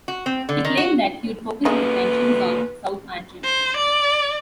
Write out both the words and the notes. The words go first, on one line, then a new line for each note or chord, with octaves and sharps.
He claimed that he would focus his attentions on South Antrim.
F#4
C4
D3
D#3
F#4
C#3 A#3 D#4 F#4 A4 B4
C5
D5